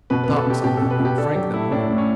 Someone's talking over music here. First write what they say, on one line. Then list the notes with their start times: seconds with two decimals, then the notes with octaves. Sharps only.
Docs' on them and frank them home.
0.10 B2 B4
0.24 B4
0.29 B2
0.37 A4
0.47 B2 G4
0.64 B2 G4
0.77 A4
0.82 B2
0.90 B4
1.00 B2
1.05 G4
1.18 D4 A4
1.35 F#3 G4
1.54 A3 E4
1.71 A2 D4
1.89 A2
1.98 C#4